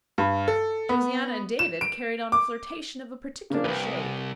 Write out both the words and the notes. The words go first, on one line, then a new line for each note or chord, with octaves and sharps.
Josiana and David carried on a flirtation of a particular shade.
G2
A4
B3
E7
D7
D6
C#3 A#3 D4
C2 F2 B4